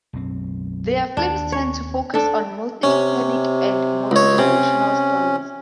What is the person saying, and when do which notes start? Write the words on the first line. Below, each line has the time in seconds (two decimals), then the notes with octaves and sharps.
Their films tend to focus on multiethnic and multigenerational stories.
0.13 B1 F#2 C4
1.17 D#2 D4
1.52 C#5
2.14 D4 A4
2.83 C3 C#4
4.11 C#2 C#5
4.38 C3 C#4